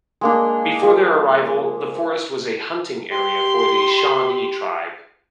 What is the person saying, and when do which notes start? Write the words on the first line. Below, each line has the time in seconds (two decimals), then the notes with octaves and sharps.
Before their arrival, the forest was a hunting area for the Shawnee tribe.
0.21 G#3 A#3 D4
0.83 F3
3.12 G4 C6